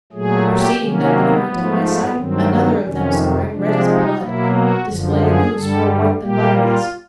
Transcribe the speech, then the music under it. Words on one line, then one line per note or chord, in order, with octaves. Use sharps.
Proceeding then the current of my sight, Another of them saw I, red as blood, Display a goose more white than butter is.
A#2 F#3 A3 G#4
G4
C3 D#3 F#3 A#3 C#4
B3
G#2 F3 A3
B3
G2 D#3 F#3 C4
F2 C3 D#3 C#4
C3 F3 G#3 D4
D#4
B2 F#3 A#3 E4
F#4
F#2 D3 F3
G#4
G2 D3 G3 A4
A#2 G3 A#3 G4
F4